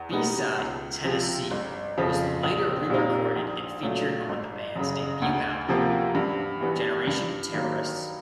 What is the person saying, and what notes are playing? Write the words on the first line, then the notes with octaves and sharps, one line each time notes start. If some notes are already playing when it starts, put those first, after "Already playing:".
B-side "Tennessee" was later re-recorded and featured on the band's debut album "Generation Terrorists".
Already playing: E2
B2 G3 B3 D#4
C#2
C3 F3 G#3
G1
F2 C#3 F3
A#1
A#2 G3 C4 D#4
A#1
A#2 F#3 A3
G1
F#2 C#3
D2
C3 F3 A#3
G2
E3 G3 B3
G2
D#3 F#3 A#3